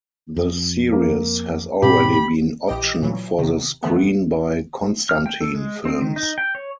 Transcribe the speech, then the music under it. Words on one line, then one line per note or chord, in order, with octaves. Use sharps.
The series has already been optioned for the screen by Constantin Films.
F2
A#3
G#2 B2 C4 G4 B5
A#1 E3 G4 D#5 G5 D6
A#2 E3 F#3
C3 D#3
D3 E3 A3 B3
F6
G5
A4
G#3
C4
D#3
D#4
G5
C#5